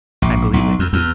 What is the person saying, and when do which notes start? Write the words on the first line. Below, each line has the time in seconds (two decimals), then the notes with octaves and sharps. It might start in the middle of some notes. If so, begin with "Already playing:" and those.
I believe it.
0.22 A#1
0.54 B1
0.79 F2
0.93 E2